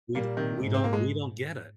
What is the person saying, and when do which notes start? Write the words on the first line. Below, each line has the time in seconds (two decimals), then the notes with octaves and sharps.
we d we don't we don't get it.
0.14 A#2 G3 A#3
0.37 C3 D#3
0.59 G#2
0.74 C4
0.84 A#3
0.93 G#3